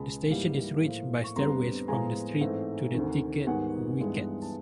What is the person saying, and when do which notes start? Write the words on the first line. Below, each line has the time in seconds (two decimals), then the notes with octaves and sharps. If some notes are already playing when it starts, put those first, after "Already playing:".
The station is reached by stairways from the street to the ticket wickets.
Already playing: C#2 B2 G#3 B3 A5 B5
0.30 G#2 E3 G3 A#3
0.83 A2 F3 A#3
1.24 C#6
1.36 F2 D3 G3 B3 A#5 C6
1.88 A2 F3 G#3 B3 G#5 A#5
2.41 G#2 E3 A3 C4
2.95 D2 C3 D#3
3.47 G#2 D#3 G3 B3 F#5 G#5
4.00 G2 E3 G#3 B3
4.42 A5